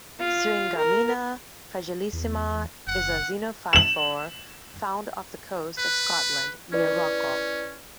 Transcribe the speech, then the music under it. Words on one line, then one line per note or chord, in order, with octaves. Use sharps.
Syringammina fragilissima is a xenophyophore found off the coast of Scotland, near Rockall.
F4
A#4
E2
F#1 F#5
E7 F#7
B4 F#6
C#4 E4 B4 D5